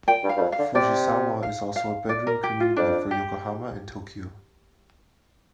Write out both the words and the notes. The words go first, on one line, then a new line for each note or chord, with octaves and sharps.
Fujisawa is also a bedroom community for Yokohama and Tokyo.
A#2 G5
G2
F5
G2
F2
F5
D3
C3 D5
F5
F5
D5
A#4
G4
F4
F2 D4
G4